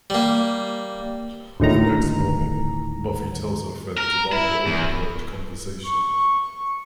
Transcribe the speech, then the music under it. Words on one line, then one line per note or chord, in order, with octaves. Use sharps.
The next morning, Buffy tells her friends about the overheard conversation.
G3 A#3
D2 A2 D#3 A#5
A#4
E4
E2
C#6